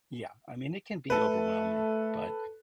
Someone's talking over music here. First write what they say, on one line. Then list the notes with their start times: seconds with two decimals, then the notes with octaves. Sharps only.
Yeah. I mean, it can be overwhelming, but
1.10 A3 A4 B4